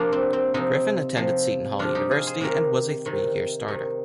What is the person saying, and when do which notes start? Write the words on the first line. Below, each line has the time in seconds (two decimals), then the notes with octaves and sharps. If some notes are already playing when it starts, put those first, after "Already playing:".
Griffin attended Seton Hall University and was a three-year starter.
Already playing: C3 F3 A#3 D4
0.12 C4
0.33 C4
0.54 C3 F3 C4 D#4
1.17 C3 F3
1.79 C3 F3 D4 F4
1.95 D#4 G4
2.11 F4 G#4
2.27 G#4 C5
2.41 C3 D#3 G4 A#4
3.06 C3 D#3
3.68 C3 D#3